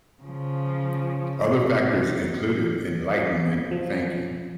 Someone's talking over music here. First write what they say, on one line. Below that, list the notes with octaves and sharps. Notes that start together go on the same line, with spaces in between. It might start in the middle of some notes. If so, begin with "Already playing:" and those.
Other factors included Enlightenment thinking.
C#3 F3
F3